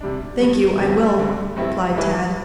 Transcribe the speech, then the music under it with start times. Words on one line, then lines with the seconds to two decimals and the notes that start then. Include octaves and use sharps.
"Thank you, I will," replied Tad.
0.01 C3 G3 D4
0.40 G2 F#3 B3
0.79 E2 D3 F#3 C4
1.18 D3 G3 C4
1.56 G2 F#3 C4 E4
1.96 G2 E3 G3